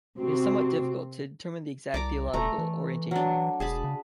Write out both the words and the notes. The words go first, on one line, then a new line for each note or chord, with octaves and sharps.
It is somewhat difficult to determine the exact theological orientation of Wesel.
C3 C4 F#4
C2 D5 A#5 D6
D#1 A3 A#5
E3
F#3 D4
E1 G#4 A5 B5
C#3